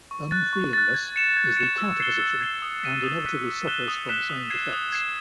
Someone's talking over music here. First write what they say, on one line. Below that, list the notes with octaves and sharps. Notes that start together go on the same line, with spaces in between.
Unfeelingness is the counter-position and inevitably suffers from the same defects.
C#6
F#6 A6
C#6
F#6 A6
G#6
C#7 E7
G#6
C#7 E7
E6
G#6 C7 E7 G7
E6
G#6 C7 E7 G7
D#6
F#6 B6 D#7
D#6
F#6 B6 D#7
D#6
F#6 B6 E7 G7
D#6
F#6 B6 E7 G7
D#6
G#6 C7 E7
D#6
G#6 C7 E7